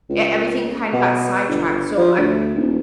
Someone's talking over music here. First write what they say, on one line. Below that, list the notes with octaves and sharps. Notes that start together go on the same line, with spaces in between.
e everything kinda got sidetracked, so I
C#2
B2
G1
F3
D2
D#1